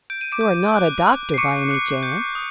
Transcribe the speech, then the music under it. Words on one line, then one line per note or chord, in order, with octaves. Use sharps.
"You are not a doctor by any chance?"
G6 D7
D#7
D6 D7
G6
F#6
F#6
C7
C#6 D6 C#7
F#6
G6
D#6